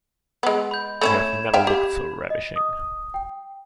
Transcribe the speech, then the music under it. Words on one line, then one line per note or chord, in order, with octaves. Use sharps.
You have never looked so ravishing.
G#3 B3
B5 G6
A3 C#4 E4 B5 G#6 E7
E5 F5 G5
G4
D#5
D#6
G5